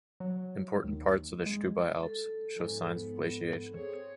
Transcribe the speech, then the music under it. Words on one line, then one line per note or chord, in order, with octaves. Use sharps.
Important parts of the Stubai Alps show signs of glaciation.
F#3
D#2
G#3
A4
G#2 F3 B3
C4 G#4 C#5